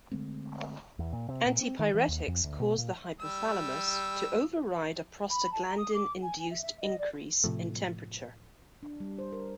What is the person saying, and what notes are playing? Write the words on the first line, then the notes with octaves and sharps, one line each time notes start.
Antipyretics cause the hypothalamus to override a prostaglandin-induced increase in temperature.
D3 G#3 A3 C4
E2
A#2
C3
A#2
C4
D#3
E3
D#2
F2
D2
B2
A#2
G3 E6
B5
A5
A#5
D#6
D6
G#5
G#5
E5
E5
D#5
D5
A2 C3 F3 A3
D4
G3
C5
A#4